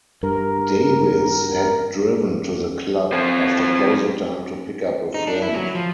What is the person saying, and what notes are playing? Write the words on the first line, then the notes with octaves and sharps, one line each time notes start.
Davis had driven to the club after closing time to pick up a friend.
G2 A#4
C4 A4 C5
D#4
D4
E4
F#3
F3